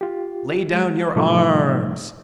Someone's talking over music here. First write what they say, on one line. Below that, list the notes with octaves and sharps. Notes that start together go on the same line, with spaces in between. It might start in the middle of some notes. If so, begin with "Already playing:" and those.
"Lay down your arms!"
F4 G4
G#3
A2 C3 F3 G3 A3 D#4